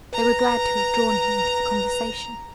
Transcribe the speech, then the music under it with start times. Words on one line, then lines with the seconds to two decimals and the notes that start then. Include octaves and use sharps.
They were glad to have drawn him into the conversation.
0.13 B4 A#5